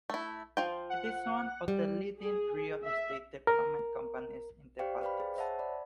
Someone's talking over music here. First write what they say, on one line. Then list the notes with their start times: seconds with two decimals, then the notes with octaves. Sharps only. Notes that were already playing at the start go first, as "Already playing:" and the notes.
It is one of the leading real estate development companies in the Baltics.
0.10 A3 E4
0.57 F3 F4 G5
0.90 F#5
1.68 G3
2.20 G#4
2.84 E5
3.47 A#4
4.79 G4 C5 D5 F5 G5
5.01 B4 C5 D5 F5 G5 B5
5.20 G#4
5.36 C5 C#5 E5 F#5 A5
5.59 D5 B5